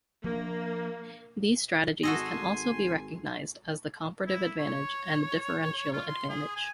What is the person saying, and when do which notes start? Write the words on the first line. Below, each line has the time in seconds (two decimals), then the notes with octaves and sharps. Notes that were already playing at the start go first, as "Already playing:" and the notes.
These strategies can also be recognized as the comparative advantage and the differential advantage.
0.24 F3 A#3 D4
2.03 G#1 F#4 A4 D#5 G#5 C6
4.27 E4
4.59 C#5
5.93 F4
6.07 C6
6.29 G#4
6.55 G#5